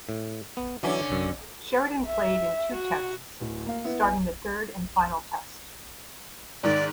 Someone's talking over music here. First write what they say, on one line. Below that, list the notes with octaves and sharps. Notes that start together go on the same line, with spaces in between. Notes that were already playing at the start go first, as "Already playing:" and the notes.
Sheridan played in two Tests, starting the third and final Test.
A2
B3
D3 E3 F#3 C#4
F#2
E5
F#4
D1
A#3 F5
B3 E4
G#5
G#2 D#3 D5